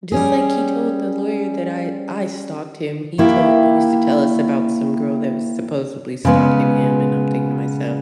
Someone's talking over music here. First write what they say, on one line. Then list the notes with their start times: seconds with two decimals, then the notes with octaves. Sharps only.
just like he told the lawyer that I I stalked him, he told he used to tell us about some girl that was supposedly stalking him, and I'm thinking to myself,
0.12 G3 C#4 G#4
3.18 D#3 A#3 E4 G4
6.25 C#3 G#3 B3